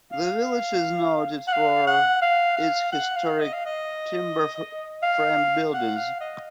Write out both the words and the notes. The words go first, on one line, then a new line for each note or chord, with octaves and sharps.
The village is noted for its historic timber-framed buildings.
F5
F#5
F5
F#5
F5
F5
F#5
F5
D#5
F5
D#5
F5
F#5
F5
D#5